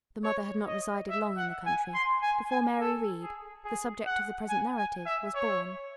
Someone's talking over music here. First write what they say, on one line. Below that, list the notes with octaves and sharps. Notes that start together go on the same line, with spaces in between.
The mother had not resided long in the country before Mary Read, the subject of the present narrative, was born.
C#5
D#5
E5
F#5
G#5
C6
G#5
G#5
A4
G#4
G#4
F#5
G#5
G#5
E5
C#5